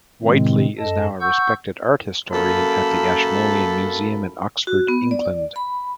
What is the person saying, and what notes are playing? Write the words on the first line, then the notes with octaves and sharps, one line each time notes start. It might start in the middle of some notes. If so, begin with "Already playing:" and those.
Whiteley is now a respected art historian at the Ashmolean Museum in Oxford, England.
A2 C3 D#3 G#3 C4
F#2 A4 D#5 A5
F#5 C#6 E6 G6
F#2 A#3 A4 A5 B5
F#4
B3
D5
B5